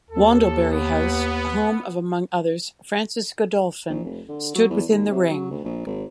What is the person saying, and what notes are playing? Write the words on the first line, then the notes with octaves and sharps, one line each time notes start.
Wandlebury House, home of among others, Francis Godolphin, stood within the Ring.
D#2 A4
B3
A#1
F1
D3
F#3
E2
D#2
C3
F#3
D2
A#1
G#1